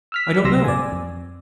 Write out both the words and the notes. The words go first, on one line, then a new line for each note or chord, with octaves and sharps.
"I don't know."
E6 F6 B6
B1 C3 F#3 C6 E6 A#6
D5 G#5
F2